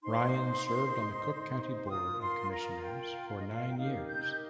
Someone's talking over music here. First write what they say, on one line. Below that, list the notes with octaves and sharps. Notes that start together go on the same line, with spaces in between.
Ryan served on the Cook County Board of Commissioners for nine years.
D#4 C5 C6
C6
F4 A#4 D#6
C6
A#5
G5
F5
D#5
F5
G5
D#4 G4 A#4 F5
G6